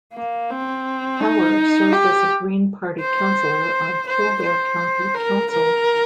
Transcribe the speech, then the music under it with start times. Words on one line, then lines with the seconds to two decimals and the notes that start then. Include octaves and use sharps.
Power, served as a Green Party councillor on Kildare County Council.
0.14 A#3
0.50 C4
1.21 D#4
1.92 G4
3.00 C5
4.07 C5
4.43 C5
5.15 A#4
5.51 A#4